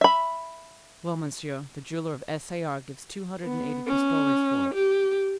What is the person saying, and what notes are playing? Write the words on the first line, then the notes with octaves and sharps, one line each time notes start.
"Well, monsieur, the jeweler of S. A. R. gives two hundred and eighty pistoles for it."
E5 B5
B3
C#4
G4